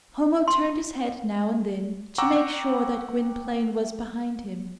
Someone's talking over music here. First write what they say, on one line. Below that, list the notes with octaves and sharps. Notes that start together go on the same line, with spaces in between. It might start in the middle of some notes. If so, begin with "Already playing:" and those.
Homo turned his head now and then, to make sure that Gwynplaine was behind him.
C6
F#5 G5 A#5 C#6 D6 E6